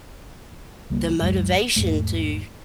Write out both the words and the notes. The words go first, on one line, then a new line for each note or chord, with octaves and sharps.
the motivation to
C#2 G3 A#3
C#2 F#2 F#3 G#3
E2 G#2 A3